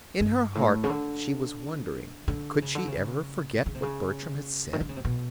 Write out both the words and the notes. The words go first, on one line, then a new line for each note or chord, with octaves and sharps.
In her heart she was wondering: could she ever forget what Bertram had said?
G2
A2
C#3
D3
D3
C#3
D3
C#3
C#3
C3
C#3
D#3
D3
C#3
C3
B2